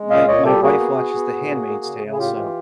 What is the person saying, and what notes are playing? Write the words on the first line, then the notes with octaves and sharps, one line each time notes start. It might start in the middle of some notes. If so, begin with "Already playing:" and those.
My my wife watches The Handmaid's Tale, so
Already playing: G#3
A#2 D#5 F5
A#2 C#5 D#5
G3 G4 A4
A#3 F#4 G#4
B3
B3
B3
A2
A#3
A#3
C#3
C#3
G#4
A2 F4 G4
E3